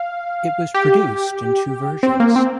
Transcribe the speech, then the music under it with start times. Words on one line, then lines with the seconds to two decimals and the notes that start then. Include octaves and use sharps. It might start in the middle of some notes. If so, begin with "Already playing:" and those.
It was produced in two versions.
Already playing: F5
0.74 G4
2.03 C4
2.20 A#3
2.36 C4